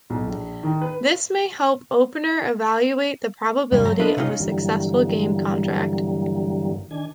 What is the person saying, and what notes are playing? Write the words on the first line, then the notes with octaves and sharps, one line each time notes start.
This may help opener evaluate the probability of a successful game contract.
B1
A#1
D#3
B4
G2 C3
F#3 A#5
D4 F4 A4 B4 D#5 E5
C3 C#4 D#4 F4
G2 D3 E3 F#3 G3 A#3
D#3 D4 G#5